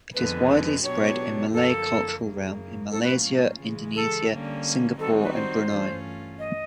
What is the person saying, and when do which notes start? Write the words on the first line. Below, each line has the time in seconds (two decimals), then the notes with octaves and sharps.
It is widely spread in Malay cultural realm in Malaysia, Indonesia, Singapore and Brunei.
0.14 F2 D3 F3 G#3 B3 B4
0.83 B2 F#3 B3 D4 G4 C#5
1.53 F#2 D3 F3 A#3 A4
2.22 F#2 C#3 F#3 A#3
2.91 A2 F#3 A#3 C#4 F4 A4
3.03 B4
3.61 C#3 E3 G#3
3.95 A4
4.30 D3 G3 A#3 C#4
4.99 D#3 G3 C4 D#4 F#4 A4
5.22 B4
5.34 C5
5.69 G2 E3 A3 C#4 F4
6.39 D#5